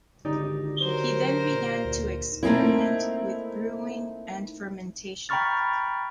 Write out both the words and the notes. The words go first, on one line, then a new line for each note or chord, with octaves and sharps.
He then began to experiment with brewing and fermentation.
G#1 D3 D#4 G4 D5
F#3 A#4 C5
A#2
D2
A3 A#3 C4 D#4 E4
G5 A#5 B5 C#6 F6 A6